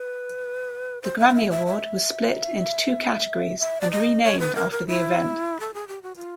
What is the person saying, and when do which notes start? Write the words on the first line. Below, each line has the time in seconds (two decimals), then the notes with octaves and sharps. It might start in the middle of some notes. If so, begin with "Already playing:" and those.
The Grammy award was split into two categories and renamed after the event.
Already playing: B4
1.02 C5
1.18 E5
1.29 F5
1.34 E5
1.51 E5
1.67 E5
3.59 E5
3.81 D5
3.91 D#5
4.23 C#5
4.40 B4
4.55 A#4
4.71 A#4
4.87 E4
5.60 A4
5.74 G#4
5.88 G4
6.03 F#4
6.16 F4